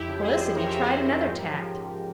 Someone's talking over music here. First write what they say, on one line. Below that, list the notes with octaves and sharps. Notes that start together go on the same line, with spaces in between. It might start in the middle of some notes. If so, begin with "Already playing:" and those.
Felicity tried another tack.
Already playing: F2 E4 G4
C#3
G#4 C5
F3
F2 A#4 C#5
E5
C#5
F2 G#4 C5
C#3 G4 A#4
G#2
F3
G#2